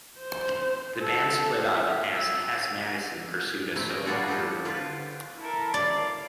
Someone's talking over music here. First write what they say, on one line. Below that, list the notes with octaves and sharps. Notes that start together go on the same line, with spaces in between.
The band split up as Tess Mattisson pursued a solo career.
C5
A4
E5
E6
A3 C4 E4
C#4 D#5 G5
G3 D4 F4 F#4 G#4 A4
G4 A4 C5
D3 F4 G4 B4
E4 A4 A#4
D5 F5